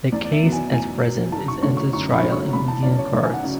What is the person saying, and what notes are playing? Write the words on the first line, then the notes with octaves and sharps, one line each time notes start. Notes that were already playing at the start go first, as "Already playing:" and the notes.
The case at present is under trial in Indian courts.
E2 D5
D5
E5
B2 F#3 B3
G#5
E2 G#5
B2 F#3 B3
F#2 A5
C#6
D3 A3 C#4 C#6
C#6
F#2 C#6
B5
D3 A3 C#4
C#6
E2 B5
A5
C#3 F#3 C#4 D5
C#5
E2 E5
G#5
F#5
C#3 F#3